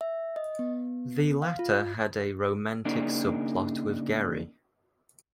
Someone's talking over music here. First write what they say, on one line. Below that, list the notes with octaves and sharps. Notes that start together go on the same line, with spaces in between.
The latter had a romantic subplot with Gary.
E5
D#5
B3
F5
F4
C#3 A#3 D4 D#4